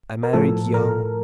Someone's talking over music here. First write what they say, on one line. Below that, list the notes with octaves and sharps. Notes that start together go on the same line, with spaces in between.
I married young.
A#4
A2 F3 A4
A#4